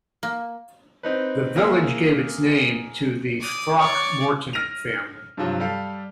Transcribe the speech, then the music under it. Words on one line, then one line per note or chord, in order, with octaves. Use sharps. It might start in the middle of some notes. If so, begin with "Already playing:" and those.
The village gave its name to the Throckmorton family.
A#3
C4 D#4 B4
A#3 G#4 E5
D5 D#6
C#5 D5
F6 A#6 D7 D#7 F7
G2 C3 F3 F#3
G3 A4 F5